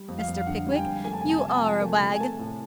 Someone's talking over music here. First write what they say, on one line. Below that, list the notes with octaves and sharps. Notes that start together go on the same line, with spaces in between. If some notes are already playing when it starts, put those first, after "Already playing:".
Mr. Pickwick, you are a wag.
Already playing: G3
F2
F5
F2
F5
D3 F#5
G3
G#5
G5
F2
A3 G#5
A5
C3 G#5
A5
G#5
C3 A5
G#5
F3 A5
G#5
A3
C3
G#5
A3 A5
A2